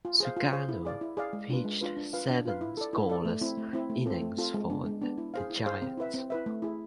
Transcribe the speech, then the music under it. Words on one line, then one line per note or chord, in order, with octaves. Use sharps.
Sugano pitched seven scoreless innings for the Giants.
F4
G#4 C5 F5
F4
G#4 C5 F5
E4
G#4 D5 F5
E4
G#4 D5 F5
G#3
D4 F4 B4
G#3
D4 F4 B4
D4
F4 B4 F5
D4
F4 B4 F5
E4
A4 D5
E4
A4 D5
A3
C4 E4
A3
C4 E4
A3
C4 F4 A4
A3
C4 F4 A4
G#3
B3 D4
G#3
B3 D4
E4
G#4 C5 F5
E4
G#4 C5 F5
C4
E4 B4 E5
C4
E4 B4 E5
A3
E4 G#4